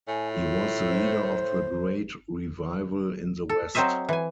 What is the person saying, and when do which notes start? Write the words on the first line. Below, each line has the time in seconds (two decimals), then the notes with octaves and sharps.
He was the leader of the Great Revival in the West.
0.08 A2 G#5
0.32 F4
0.88 C5
3.49 A4
3.75 F#3 C4 C5 D#5 E5
4.09 E3 G#5